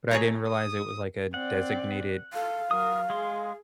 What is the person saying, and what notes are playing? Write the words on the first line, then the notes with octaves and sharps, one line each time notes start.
but I didn't realize it was, like, a designated
A3 G#4 C#5 A#5
D#6
C4 D5 F#5
A4 F5
F#3 A#4 D#6
G#3 G#4 C6